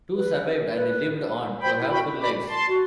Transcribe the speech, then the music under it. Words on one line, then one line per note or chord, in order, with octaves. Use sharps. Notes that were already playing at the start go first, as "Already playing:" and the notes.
Two survived and lived on to have full lives.
B4
B4
C5 G5 B5
E4
F#4 G5 B5
B5 D6
A5 C6
F#4